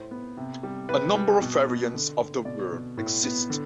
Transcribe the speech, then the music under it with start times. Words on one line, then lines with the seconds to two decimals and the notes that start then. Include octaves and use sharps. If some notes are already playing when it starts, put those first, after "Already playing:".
A number of variants of the worm exist.
Already playing: A2 C5
0.11 B3
0.37 C3
0.63 G3
0.89 C3 B4
1.15 G3
1.41 B2
1.67 B2
1.94 D3
2.20 D3
2.45 B2 D5
2.71 B2
2.97 A2
3.24 B3
3.50 D3